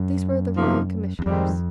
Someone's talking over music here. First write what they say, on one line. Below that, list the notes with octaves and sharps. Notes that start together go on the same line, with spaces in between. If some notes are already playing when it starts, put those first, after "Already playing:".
These were the Royal Commissioners.
Already playing: F#2
E2 C3 F3 A#3 D#4
E2
F2 G#2 D#3 G3 C4 D#4